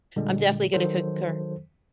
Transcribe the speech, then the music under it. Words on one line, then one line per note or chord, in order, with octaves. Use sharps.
I'm definitely gonna concur
A#2 D3 G3 G#3
D#3 F#3 A4 C5